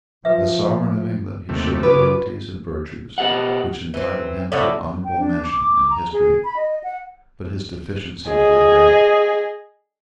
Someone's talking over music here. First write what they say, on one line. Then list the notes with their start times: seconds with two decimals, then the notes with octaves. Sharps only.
As Sovereign of England, he showed abilities and virtues which entitle him to honourable mention in history; but his deficiencies were great.
0.25 F3 B4 E5
1.49 D#2 C3 A3
1.83 C#3 F4 F#4 B4 D6
3.18 B2 G4 D#5 F#5
3.94 E3 C4
4.52 A2 C3 A#3 D5 E5 F#5
5.05 G5
5.19 D4
5.43 D6
5.57 D6
5.90 A#5
6.12 G#4
6.44 B5
6.57 D#5
6.84 F#5
8.28 G#4 D#5